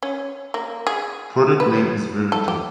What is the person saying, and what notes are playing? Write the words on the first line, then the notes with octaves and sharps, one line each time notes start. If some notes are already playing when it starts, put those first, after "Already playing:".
Product name is Veregen.
C#4
A#3
G#4
B4
A4
G4